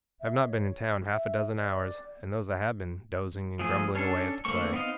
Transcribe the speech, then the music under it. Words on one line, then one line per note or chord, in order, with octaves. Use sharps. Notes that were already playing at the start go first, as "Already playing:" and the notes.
I have not been in town half-a-dozen hours, and those I have been dozing and grumbling away at the play.'
E5
C#5
E5
D5
F3 A3 G#4
C#4 D4 A4
D3 A3 A#3 C4 C#6
B3 C4 D#4 D#5 F5